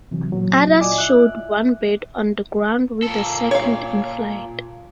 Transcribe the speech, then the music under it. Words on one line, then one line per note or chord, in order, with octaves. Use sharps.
Others showed one bird on the ground with the second in flight.
C3 E3 F#3
A#2 F#3
E4 F4 D5 D#5 G#5 D6
E5 F#6
A#2 A4
C#5 F5